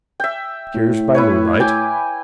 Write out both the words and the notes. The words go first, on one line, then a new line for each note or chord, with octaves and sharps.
Piers by moonlight.
E5 G5
A2
E4 B4 C#5
G5 G#5 D6